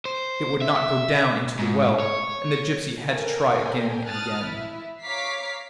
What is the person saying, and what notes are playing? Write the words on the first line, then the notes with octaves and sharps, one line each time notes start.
It would not go down into the well, and the gypsy had to try again and again.
C5
E5
G#2
C#5
A4 A#4 G5 G#5
A5 D#6 F6 F#6 A6
E4 E5
C#5 F5 A#5 D6 B6 C7